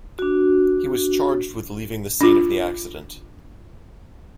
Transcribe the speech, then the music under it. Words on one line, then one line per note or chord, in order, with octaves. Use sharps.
He was charged with leaving the scene of the accident.
D4 F#4
D4 F4